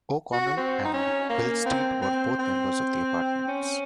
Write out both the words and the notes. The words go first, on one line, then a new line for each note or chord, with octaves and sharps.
O'Connell and Willsteed were both members of the Apartments.
F#4
C4
D#4
C#4
A#3
C4
C4
C4
C#4